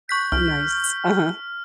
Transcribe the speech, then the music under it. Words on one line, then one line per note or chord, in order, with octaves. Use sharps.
Nice. Uh-huh.
C#6 F#6 G6 B6
C2 F6